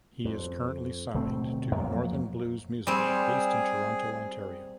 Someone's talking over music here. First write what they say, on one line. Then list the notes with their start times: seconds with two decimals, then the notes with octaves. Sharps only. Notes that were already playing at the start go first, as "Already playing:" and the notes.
He is currently signed to NorthernBlues Music, based in Toronto, Ontario.
0.25 F2
1.14 D1 B2 A3 C4
1.75 F2 F#3 A#3
2.87 G3 C4 G#4